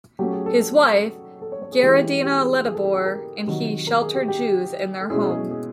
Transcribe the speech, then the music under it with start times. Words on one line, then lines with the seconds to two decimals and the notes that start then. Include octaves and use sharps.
His wife, Gerritdina Letteboer, and he sheltered Jews in their home.
0.19 F#3 A3 C#4 G4
0.33 G#4
0.46 A4
0.60 A4
1.42 A4
1.52 C#5
1.62 C#5
1.72 G#4
1.82 E3 G#3 C#4 E4 G4
2.24 G4
2.37 G#4
2.65 G#4
2.74 A4
2.85 G4
2.96 G#4
3.05 A#4
3.47 C3 D#3 F#3
3.87 A#4
4.01 G#4
4.14 G4
4.28 G4
5.01 A4
5.10 B2 G#3 C#4 E4 G#4
5.20 G#4
5.30 G#4
5.51 G#4